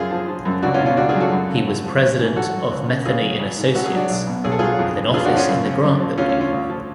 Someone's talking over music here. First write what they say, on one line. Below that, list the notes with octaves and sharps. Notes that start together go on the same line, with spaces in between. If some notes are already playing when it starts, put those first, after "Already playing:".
He was president of Metheny and Associates with an office in the Grant Building.
Already playing: F#2 F4 G#4
F3
F3
F#2
C#2 D4 F#4
C#4 F4
B2 D4
C#4 F4
C#2 D4 F#4
F4 G#4
F#3
F#4 A4
F#2
C#3
F#2
F3
A1
G#2
A1 F#4 A4
F#3
C#2
C#3
C#2 F4 G#4
F#3
G#1
G#2
G#1 F#4
G#4
F#3 D4 F#4
B1
B2
B1 G#4
A4
F#3 F4 G#4
F2
D3
F2 F4 G#4
D4 F#4
F3
C#4 F4
F#2
C#3
F#2
F3
D2 C#4 F4
C#4
D3
C#4 F4
D2
F3